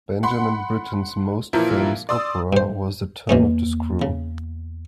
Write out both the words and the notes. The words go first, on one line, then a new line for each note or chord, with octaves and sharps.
Benjamin Britten's most famous opera was The Turn of the Screw.
F#5 B5 C6
A#2 E3 F3 E4 A#4
D5 C6 D#6 E6
G2 C5
E2 B2 E3 A#3 C#4
C#3